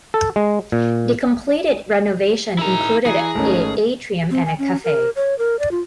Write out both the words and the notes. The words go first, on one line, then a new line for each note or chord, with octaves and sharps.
The completed renovation included a atrium and cafe.
A4
G#3
A#2
D#4 E4 G#4 A#4 A#5
E3 E4 G#4 G#5 A#5
G#1 A3 C#4 D#4
C4
G#5
C#4
A#4
C#5
A#4
D5
F4